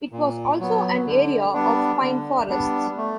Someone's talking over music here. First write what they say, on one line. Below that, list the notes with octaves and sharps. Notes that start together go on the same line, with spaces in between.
It was also an area of pine forests.
A#2
F#3 B3
D3
G3 B3 D4
D3
G3 B3 D4
A3